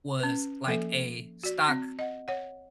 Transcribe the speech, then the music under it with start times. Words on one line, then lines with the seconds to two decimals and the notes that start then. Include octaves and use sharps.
was like a stock
0.19 C#4 B4
0.66 F3 A#3 A4 E5
1.43 F#4 D5
1.68 C4
1.99 D#5 F#5
2.28 C#5 F#5